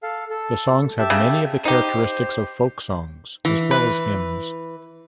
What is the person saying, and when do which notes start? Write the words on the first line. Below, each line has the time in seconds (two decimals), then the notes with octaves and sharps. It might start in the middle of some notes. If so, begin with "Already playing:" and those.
The songs have many of the characteristics of folk songs as well as hymns.
0.03 A4 F5
0.30 A4
0.99 G4 E5 A5
1.10 C#3
1.65 D#4 G4 C5
3.45 E3
3.71 B4